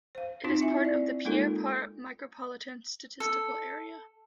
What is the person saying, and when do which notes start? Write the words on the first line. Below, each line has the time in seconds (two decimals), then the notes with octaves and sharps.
It is part of the Pierre Part Micropolitan Statistical Area.
0.15 C5 F5
0.44 C4 D#4 F4 F#4
0.61 E4 E5 G#5
0.82 C4 D5
1.25 G#3 A#3 D#4 F4 A4 A#4
3.20 A4